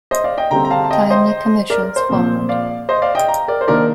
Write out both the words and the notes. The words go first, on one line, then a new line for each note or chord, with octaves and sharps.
Timely commissions followed.
C5 D#5
D5 F5
D#5 G5
D3 G3 C4 G5 A#5
A#5
F5 A5
A5
D#5 G5
C5 D#5
A#4 D5
A#4
C5
A#2 F3 C4
D5 F5
C5 D#5
D5 F5
D#5 G5
G5 A#5
A#4 D5
C5
D#3 A#3 D4 A#4 D5